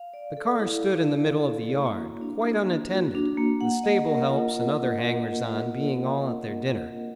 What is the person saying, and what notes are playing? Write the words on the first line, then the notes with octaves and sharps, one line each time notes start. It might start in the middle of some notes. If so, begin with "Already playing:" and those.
The car stood in the middle of the yard, quite unattended, the stable-helps and other hangers-on being all at their dinner.
Already playing: F5
D5
A4
E4
F5
D5
A4
E4
A#3
F#4
D4
A#3
A#3
F#4
D4
A#3
F#5
D#5
A#4
F4